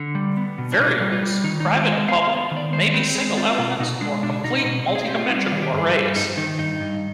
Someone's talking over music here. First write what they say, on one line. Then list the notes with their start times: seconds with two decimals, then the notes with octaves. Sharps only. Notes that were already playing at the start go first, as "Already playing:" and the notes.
Variables, private and public, may be single elements or complete multi-dimensional arrays.
Already playing: D3
0.15 G3
0.37 B3
0.58 B2
0.72 D4
0.79 B2 D#4
1.01 G3
1.12 F4
1.22 G3
1.44 D#3 D#4
1.60 D#4
1.65 G#3
1.76 F4
1.86 G#3
1.92 D#5
2.08 B3 F5
2.24 F5
2.30 B3
2.51 D#3
2.56 D5
2.73 G#3 C5
2.94 C4 B4
3.15 G#3 G#4
3.37 C4 F4
3.58 B2 F4
3.80 B2 D#4
4.01 G#3 D4
4.23 B2 D4
4.44 B2 D#4
4.66 B2
4.87 C4
4.95 G#4
5.08 C4 G4
5.19 F4
5.30 G3 D#4
5.46 F4
5.52 D#3
5.57 G#4
5.62 G4
5.73 G2
5.78 G#4
5.95 G3
6.16 G2 D#4
6.37 D#3 D#4
6.59 G2 D#4
6.80 G2